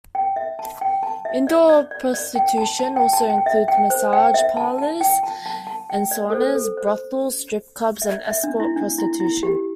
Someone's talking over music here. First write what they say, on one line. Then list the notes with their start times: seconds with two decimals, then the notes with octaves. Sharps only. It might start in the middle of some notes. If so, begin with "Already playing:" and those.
"Indoor prostitution" also includes: massage parlors and saunas, brothels, strip clubs, and escort prostitution.
0.15 G5
0.36 E5
0.59 A5
0.81 G5
1.03 A5
1.25 E5
1.47 D5
1.69 D5
1.91 D5
2.14 D5
2.35 G5
2.58 A5
2.79 A5
2.96 G5
3.13 A5
3.30 G5
3.46 E5
3.68 G5
3.90 C5
4.13 G5
4.34 E5
4.57 A5
4.78 A5
5.01 G5
5.23 A5
5.46 A5
5.67 A5
5.90 G5
6.11 D5
6.30 A4
6.33 C5
6.55 A4
6.78 C5
8.02 E5
8.10 D5
8.27 E5
8.44 D4
8.60 E4
8.76 D4
8.98 E4
9.20 E4
9.43 G4